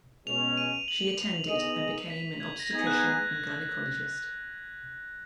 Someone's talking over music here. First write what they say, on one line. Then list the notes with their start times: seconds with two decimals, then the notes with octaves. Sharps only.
She attended and became an obstetrician and gynecologist.
0.27 B2 G#3 C#4 F7
0.57 D#7
0.88 F#7
1.18 F7
1.49 B3 D#4 G#4 D#5 D#7
2.10 B6
2.40 G#6
2.60 A#6
2.71 B3 D#4 G#4 G#6
2.87 F#6